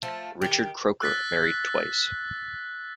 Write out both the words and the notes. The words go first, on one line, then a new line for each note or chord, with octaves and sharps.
Richard Croker married twice.
F3 A3
D#3 G4
E6 F#6 A6 B6